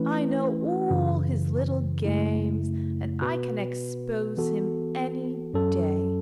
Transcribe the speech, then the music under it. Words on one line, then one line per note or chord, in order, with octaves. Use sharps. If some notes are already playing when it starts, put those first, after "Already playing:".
I know all his little games, and I can expose him any day.
Already playing: E3 A3 C#4 E4 B4
F#2 C#3 E3
F#2 C#3 A3 E4
B2 B3 F#4 B4
E3 B3 F#4 A4
F#2 F#3 C#4 A4